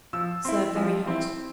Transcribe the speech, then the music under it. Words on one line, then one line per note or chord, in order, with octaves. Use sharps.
Serve very hot.
F3 E6
C4 E4
F3
C4 E4